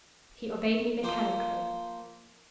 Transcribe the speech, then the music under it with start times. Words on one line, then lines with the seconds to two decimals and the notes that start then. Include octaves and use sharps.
He obeyed me mechanically.
1.03 F3 A#3 C5